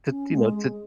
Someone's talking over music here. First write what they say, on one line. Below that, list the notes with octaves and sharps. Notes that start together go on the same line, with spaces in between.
to, you know, to
C#4
G#3